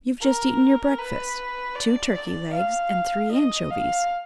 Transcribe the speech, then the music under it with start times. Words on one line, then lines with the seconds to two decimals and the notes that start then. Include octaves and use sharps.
"You've just eaten your breakfast--two turkey eggs, and three anchovies."
0.21 A#4
0.99 B4
1.76 D5
2.15 D5
2.53 F5
3.31 D#5
3.70 F5